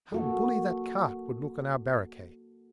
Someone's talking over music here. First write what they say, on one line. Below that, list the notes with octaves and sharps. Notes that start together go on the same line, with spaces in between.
"How bully that cart would look on our barricade!"
A#3 F#4 A4